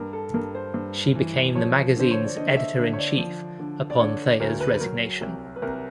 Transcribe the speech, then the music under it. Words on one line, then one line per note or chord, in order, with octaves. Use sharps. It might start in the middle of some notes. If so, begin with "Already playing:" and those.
She became the magazine's editor-in-chief upon Thayer's resignation.
Already playing: G2 A#4
A4
G2 A#4
C5
G2
E3
F3 C#5
D3 C5
C#5
D5
D3 D#5
E5
D3
C#5
D5
F3
D3
D5
D3 C#5
D2 A#4
B4
B4
F#3 A#4
C2
B4
C2 A#4